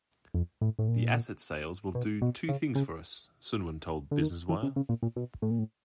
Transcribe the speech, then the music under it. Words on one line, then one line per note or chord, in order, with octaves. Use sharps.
'The assets sales will do two things for us,' Suwyn told Business Wire.
F2
A2
A2
A#2
B2
B2
C#3
C#3
D3
D#3
E3
C#3
C#3
A#2
A#2
B2
A2
A#2
A2